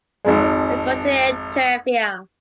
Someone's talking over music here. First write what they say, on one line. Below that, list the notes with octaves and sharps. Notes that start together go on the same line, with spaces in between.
We go to Tírvia.
G#1 F2 G#3